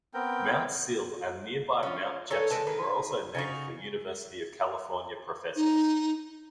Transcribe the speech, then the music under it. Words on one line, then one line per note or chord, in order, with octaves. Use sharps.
Mount Sill and nearby Mount Jepson were also named for University of California professors.
B3 C4 A#4 G5
C#4 F4
D#3 A4 C#5 G#5
G#3 C4 B4 A5
D#3 G#4 B4
C#3 D#4 F#4
D#4